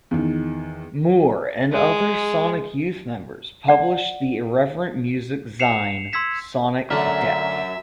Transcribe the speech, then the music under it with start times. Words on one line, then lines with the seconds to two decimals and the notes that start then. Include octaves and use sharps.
Moore and other Sonic Youth members published the irreverent music zine "Sonic Death".
0.11 E2 D#3
1.71 G#3
3.68 D5 F#5
5.59 C7 C#7 E7 F7
6.13 C6 E6 G#6 B6 E7
6.90 F#2 D3 A3 E5 A#5 F6